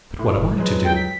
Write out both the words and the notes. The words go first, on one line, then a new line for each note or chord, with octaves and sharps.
"But what am I to do?"
A2
F#1
F3 F#3 G#3 B4
G5
B6